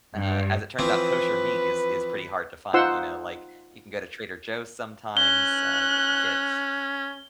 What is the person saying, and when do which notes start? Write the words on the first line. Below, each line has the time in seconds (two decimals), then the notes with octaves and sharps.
uh, as it turns out, kosher meat is is pretty hard to find, you know, like, you can go to Trader Joe's sometimes, uh, get
0.16 G2
0.79 E3 F3 C4 B4
2.74 D#4 F4 C5 F#5 C6 E6
5.17 C#4 F#6 G7